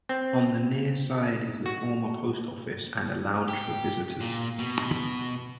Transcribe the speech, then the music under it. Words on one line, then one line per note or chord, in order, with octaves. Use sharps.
On the near side is the former post office and a lounge for visitors.
C4
F#4
G4
A#2
B2